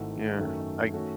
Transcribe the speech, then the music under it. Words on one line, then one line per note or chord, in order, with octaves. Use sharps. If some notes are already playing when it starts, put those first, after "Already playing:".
Yeah, I
Already playing: G#1 G#2 D#3 A3 E4
F#2 D#3 A3 C#4
D#3 A3 C#4 F#4